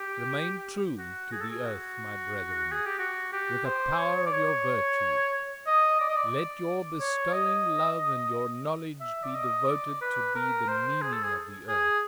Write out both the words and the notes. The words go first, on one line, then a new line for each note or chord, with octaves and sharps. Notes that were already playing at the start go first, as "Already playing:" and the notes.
Remain true to the earth, my brethren, with the power of your virtue! Let your bestowing love and your knowledge be devoted to be the meaning of the earth!
Already playing: G4
F#4
G#4
A4
G#4
F#4
G#4
G4
F#4
G4
C5
C#5
D5
C#5
D#5
D5
D#5
D5
C#5
D#5
E5
D5
D#5
D5
B4
A#4
C5
G#4
A4
G#4
G#4